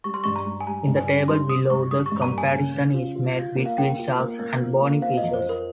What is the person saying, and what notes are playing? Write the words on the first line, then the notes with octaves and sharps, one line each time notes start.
In the table below, the comparison is made between sharks and bony fishes.
G3 C#6
C6
G2 C#6
A#5
G3
G#5
G3 A#5
G2
G#5
C#4
G3 C6
G3 D#6
G2 C#6
G3 D#6
C#6
G2
A#5
A#3
G#5
C#3
C#3
F4
F4
F4
A#3
F5
A#3 G5
F4
A#3
A#3
F3
A#3
C4 F5
D#5
F2
C5
F3
A#4